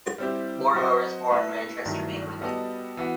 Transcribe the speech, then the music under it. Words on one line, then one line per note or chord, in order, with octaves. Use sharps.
Lorimer was born in Manchester, England.
G3 C4 E4 G4
F#3 C4 F#4 C5 D#5
A3 E4 B4 E5
G2 D#3 F#3 A3 E4
G3 B3 F#4 A4 D#5
E3 B3 F#4